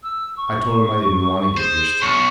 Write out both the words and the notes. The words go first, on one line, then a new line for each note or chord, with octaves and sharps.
I told him I didn't want to get used to it.
E6
C#6
G#4 C5
B1 C#6